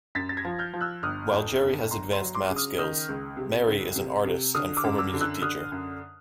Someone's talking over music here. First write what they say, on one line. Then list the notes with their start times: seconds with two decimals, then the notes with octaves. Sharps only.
While Jerry has advanced math skills, Mary is an artist and former music teacher.
0.15 F#2 A6 B6
0.29 A6
0.37 G#6 A#6
0.45 F3
0.59 F6 G6
0.73 F3
0.81 E6 F#6
1.03 G1 D#6 F6
1.33 F2
1.62 G1
1.91 G1 A#5 C6
2.13 A#5 C6
2.20 F#3
2.35 C6 D6
2.49 C#3
2.56 D#6 F6
2.78 D#3 D#6 F6
3.09 C#2
3.37 C3
3.67 C#2
3.96 C3
4.25 C3
4.55 D3 D#6 F6
4.77 D6 E6
4.84 F#2
4.98 D6 E6
5.14 D3
5.21 E6 F#6
5.42 D3 D#6 F6
5.72 F#2